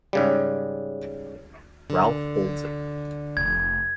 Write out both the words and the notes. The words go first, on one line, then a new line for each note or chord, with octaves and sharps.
Ralph holds it.
G#2 C#3 G3
D3
F1 G#6